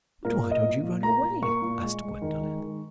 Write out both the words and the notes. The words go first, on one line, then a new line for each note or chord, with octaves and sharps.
"But why don't you run away?" asked Gwendolen.
A#2 A#4
A#3
D#5
A#2
A#2
A#3 A#5
A#2
A#3 C#6
A#2
G#3
G#3
D#3
G#3
D#3